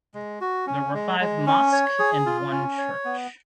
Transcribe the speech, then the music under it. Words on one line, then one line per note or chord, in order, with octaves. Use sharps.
There are five mosque and one church.
G#3
F#4
C#4
G#3
G#3
C#4
C#5
G#4
F4
C#4
C#5
B3